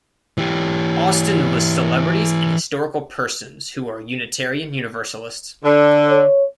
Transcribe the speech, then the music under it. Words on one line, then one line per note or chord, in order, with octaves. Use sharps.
Austin lists celebrities and historical persons who are Unitarian-Universalists.
E3 G4
D3
C#5